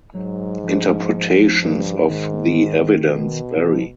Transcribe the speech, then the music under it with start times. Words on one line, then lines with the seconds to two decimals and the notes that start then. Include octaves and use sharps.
Interpretations of the evidence vary.
0.14 G#2 F#3
0.63 F3
1.61 G2
2.09 G#2 D#3
3.07 B2
3.57 E3
3.73 F3